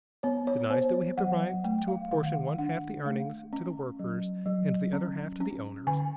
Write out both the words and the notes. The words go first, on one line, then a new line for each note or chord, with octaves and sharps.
Denies that we have the right to apportion one-half the earnings to the workers and the other half to the owners.
B3 C#5
C#5
B3 C5
C#5
F#3 F#5
F#5
A3 G5
F5
D#3 F5
F#5
F5
D4 F#5
A3 F5
C#4
F#3
F#3
C#4
C#4
D3 G#5